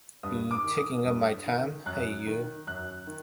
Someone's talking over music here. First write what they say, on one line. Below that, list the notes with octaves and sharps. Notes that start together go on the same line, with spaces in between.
You taking up my time? — Hey, you!
G2 D#6
D6
D#3
D#6
G2
D#3
F#2 F#6
D#3
F#2 F#6
D#3